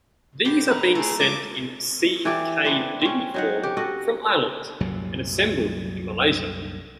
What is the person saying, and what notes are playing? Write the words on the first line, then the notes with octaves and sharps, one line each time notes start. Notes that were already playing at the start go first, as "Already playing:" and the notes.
These are being sent in ckd form from Ireland and assembled in Malaysia.
B2 G4 C5
B4 A#5
A3 G#4
F3 G3 G#3 D6
E3 G4 A4 D5
B3 C4 D4 B4
C4 C#4
F#3 D#4 F#5
G4
F#4 A4 D#5 F#5
C2 F#2 A#2 F#3